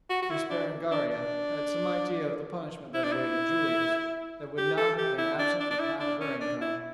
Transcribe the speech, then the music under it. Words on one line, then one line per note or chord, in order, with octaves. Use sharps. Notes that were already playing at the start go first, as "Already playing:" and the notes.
Miss Berengaria had some idea of the punishment that awaited Julius, and would not have been absent for half of her income.
F#4
F#4
E4
D4
D4
D4
E4
D4
E4
G4
A4
G4
E4
D4
D4
D4
E4
D4
C#4
D4
E4